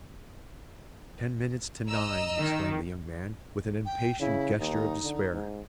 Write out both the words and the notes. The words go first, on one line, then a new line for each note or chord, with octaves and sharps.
"Ten minutes to nine!" exclaimed the young man, with an impatient gesture of despair.
D#5 A#5 E6
D#3
G5
C#3 E4
D#2 D#4
D3
G#2